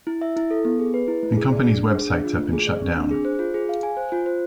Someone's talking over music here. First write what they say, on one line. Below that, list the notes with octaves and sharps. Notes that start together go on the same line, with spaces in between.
The company's websites have been shut down.
E4
E5
E4
A4
B3
G#4
B4
E4
A3
G#4
D5
D4
D4
G#4
D4
F4
A3
G#4
D5
C4
D4
G#4
C5
F4
G#4
F5
G#5
C5
F4
C5